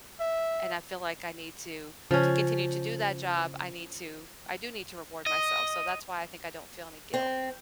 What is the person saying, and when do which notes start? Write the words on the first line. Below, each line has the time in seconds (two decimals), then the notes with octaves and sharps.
and I feel like I need to to continue to do that job, I need to I do need to reward myself, so that's why I think I don't feel any guilt.
0.20 E5
2.11 C#3 F3 C#4
5.26 D#5
7.13 C4